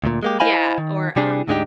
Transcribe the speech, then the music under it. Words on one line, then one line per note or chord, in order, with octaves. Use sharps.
Yeah. Or, um
D2 A#2
G#3 A#3 G4
E4 C5 D#5 F5 G#5 B5
D#3
C3 G3 D4 G#4
D2 G#2 G#3 D4 D#4 G4